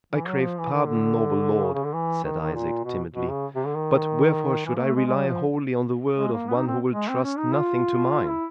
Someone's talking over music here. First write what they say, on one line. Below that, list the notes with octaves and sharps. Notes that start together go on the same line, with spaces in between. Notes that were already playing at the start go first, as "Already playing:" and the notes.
"I crave pardon, noble lord," said Isaac timidly, "but wherefore should I rely wholly on the word of one who will trust nothing to mine?"
E3
F#3
F3
E3
D#3
D3
C#3
C#3
D3
E3
D#3
D#3
A#2
B2
B2
C#3
C3
D3
D#3
E3
A#3
A3
G#3
G#3
G3
F3
G#3
A#3
B3
D#4
C4
G#3
C4
C#4
D#4
F4
E4